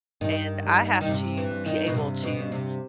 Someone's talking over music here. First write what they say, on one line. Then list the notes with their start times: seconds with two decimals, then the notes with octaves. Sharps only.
And I have to be able to
0.21 G2 D#3
0.65 G3
1.01 D#3
1.08 G2 C3
1.37 E3
1.51 G2
1.66 D#3
1.87 B2
1.95 G2 C3
2.23 B2
2.38 G2
2.52 C3